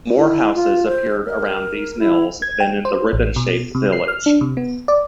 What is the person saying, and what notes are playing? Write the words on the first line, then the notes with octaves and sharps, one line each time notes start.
More houses appeared around these mills than in the ribbon shaped village.
E4
F4
C5
A#4
E4
G#6
G5
C5
A1
B2
C3
C7
F6
D4
C3
B3
D5